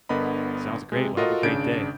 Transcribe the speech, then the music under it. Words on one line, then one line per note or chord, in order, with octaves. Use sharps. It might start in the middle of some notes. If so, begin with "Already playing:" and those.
Sounds, great, well, have a great day.
G1 D3 B3 A#4 D#5 B5
C3 G#3
F4 F#4 A4 A#4 D#5
G#1 C#3 D4 G6 D7